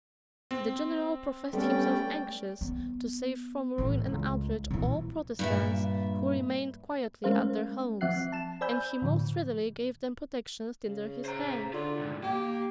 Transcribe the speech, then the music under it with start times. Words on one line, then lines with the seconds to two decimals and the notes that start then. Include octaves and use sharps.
The general professed himself anxious to save from ruin and outrage all Protestants who remained quietly at their homes; and he most readily gave them protections tinder his hand.
0.51 C4
1.53 G3 A3 B3 C#4 D5 G5
2.61 B3
3.78 A2 E3
4.06 C#2
4.71 A#2 E3
5.39 G2 A#2 E5
7.24 G#3 A3 C#4 A#4 C5 F5
8.01 F3 C4 E5 F#5 F#6 C7
8.32 A5 E7
8.61 C5 D5 G#5 B5 E6 G6
9.02 A2 D3 F3
10.87 C#3
11.25 C5 A#5
11.73 D3 F4
11.99 C2 G#2
12.23 A#3 G4